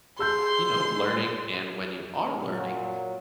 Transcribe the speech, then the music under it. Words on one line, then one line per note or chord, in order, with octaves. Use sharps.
you know, learning, and when you are learning
G#4 C6 E6 G6
A#2 F#3